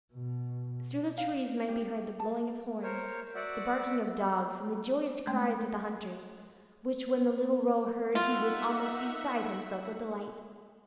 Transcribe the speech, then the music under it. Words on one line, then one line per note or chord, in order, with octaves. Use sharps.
Through the trees might be heard the blowing of horns, the barking of dogs, and the joyous cries of the hunters, which when the little roe heard he was almost beside himself with delight.
B2
F5
G4
A5
A#4 C5 C#5
F#4 D5 E5 F#5
G#3 A3 C#4 G5
D#4 F4 E5 F#5